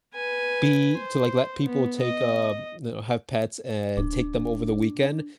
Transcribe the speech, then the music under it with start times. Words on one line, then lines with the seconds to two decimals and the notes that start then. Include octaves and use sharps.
be to, like, let people take, um you know, have pets, and take them over the weekend,
0.15 B4 G#5
0.98 C5
1.64 B3
2.01 D#5
3.97 D1 D4